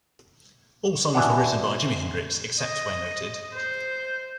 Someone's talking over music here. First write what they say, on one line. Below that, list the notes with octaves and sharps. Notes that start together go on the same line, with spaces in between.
All songs were written by Jimi Hendrix, except where noted.
B2 E3 D4 F#5
D#5
C5